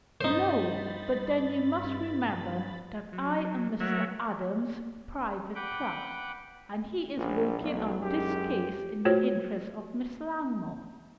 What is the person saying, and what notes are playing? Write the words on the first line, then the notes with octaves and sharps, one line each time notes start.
"No, but then you must remember that I am Mr. Adams' private clerk, and he is working on this case in the interests of Miss Langmore."
G2 D#4 C5 B5 A6
F#3
F#3 A3 A#4 C#5 E5 F#5
B4 F#5 G5 D6
A#1
B1
F#2 G#3 G4
A3 F4 F#4 C5 C#5